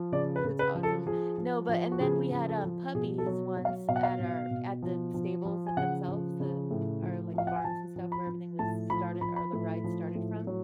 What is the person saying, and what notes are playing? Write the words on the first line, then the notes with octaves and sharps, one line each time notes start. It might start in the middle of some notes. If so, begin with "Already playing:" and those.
That's awesome. No, but and then we had, um, puppies once at our at the stables at themselves, uh, our, like, barns and stuff where everything was started or the ride started from.
Already playing: F3
C#3 D5
B4
C#3
B4
F3
A4
F3 G#4
F3
F3
F#4
C#3 G#4
F3
A4
F3
B2 G#4
A4
F#3
F#3
F5
B2 F5
F#5
F5
B2
B2
F3
F3
F3
G#5
C#3 F#5
F3
C#3
A2
F3
F3 F5
F#5
G#5
F3 A5
F3
B5
F3
A2 A5
F3 B5
F3 B5
B5
A2
F3
A2
F#3